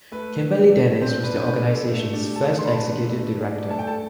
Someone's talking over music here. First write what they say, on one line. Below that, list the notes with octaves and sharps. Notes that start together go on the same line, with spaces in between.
Kimberly Dennis was the organization's first executive director.
A3 B4
D4
A3
C4 C5 D5
B4
D4
C5
B4
G4
A4
A3
D4 D5
G4
A4 A5
D4
C6
B5
A5
D4 B4 B5
A3
D5
A3 A5
G5
A4 A5